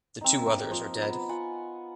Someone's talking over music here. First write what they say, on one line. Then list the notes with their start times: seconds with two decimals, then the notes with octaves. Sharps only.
The two others are dead.
0.21 C4 D#4
0.46 A#3
0.71 F3
1.02 B3
1.29 F4 D#5 F#5 G#5